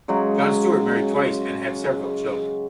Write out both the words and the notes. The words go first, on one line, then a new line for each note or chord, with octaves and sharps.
John Stewart married twice and had several children.
C#3 F#3 G#3